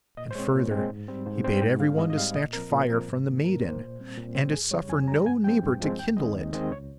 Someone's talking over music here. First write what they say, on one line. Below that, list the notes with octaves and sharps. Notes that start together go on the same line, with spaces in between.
And further, he bade every one to snatch fire from the maiden, and to suffer no neighbour to kindle it.
A#2 D#5
C5
G#3 C4 C#5
A#2
G#3 C4
G#2
G3 C4
G#2 C5
G3 C4 C5
G#2 G5
G3 C4 F5
G#2 D#5
D#5
G3 C4 F5
A#2 D#5
F3 C4 A#4
A#2 C5
F3 C4 A#4
G#2
D#3 A#3
G#2 A#4
D#3 A#3 C5
A#2
G3 C4
A#2
G3 C4
F2 G#4
C#3 G3 C#5
F2 G#5
C#3 G3 A#5
G2 G#5
F3 G#3 C4 G5
G2
F3 G#3 C4
D#2 G5
D#3 G#3 C4 D#5
D#2
D#3 G#3 C4 D#5
C#2 C#5